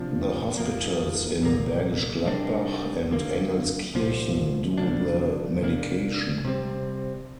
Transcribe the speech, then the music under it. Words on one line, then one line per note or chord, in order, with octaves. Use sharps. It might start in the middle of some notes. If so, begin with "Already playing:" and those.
The hospitals in Bergisch Gladbach and Engelskirchen do the medication.
Already playing: C3 F3 D4
F2 F3 A#3
C2 A#2 A#3
C3 G3 A#3 D4
D2 D3 A#3
C2 A#2 F3
D2 C3 A#3 D4
C3 A#3 D4
C3 G3 C4